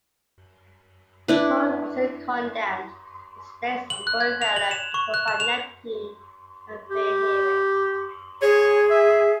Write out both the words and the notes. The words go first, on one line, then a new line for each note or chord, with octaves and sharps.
The Court also condemned the State's ongoing failure to provide Neptune a fair hearing.
D4 E4 B4
F#7
F#6
G#6
F7
F#7
E7
C#6
F#6
E7
F7
G4
G#4 C#5
E5